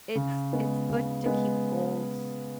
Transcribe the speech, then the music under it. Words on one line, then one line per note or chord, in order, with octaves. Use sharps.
It's it's good to keep goals
C#3
G#3 B3
C#3
G#3 B3